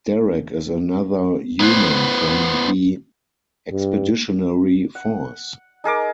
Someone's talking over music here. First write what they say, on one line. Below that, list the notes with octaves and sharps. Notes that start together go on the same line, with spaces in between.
Derek is another human from the expeditionary force.
B3 E4 B4 C5
G2
F#5
D#4 G#4 A#4 D6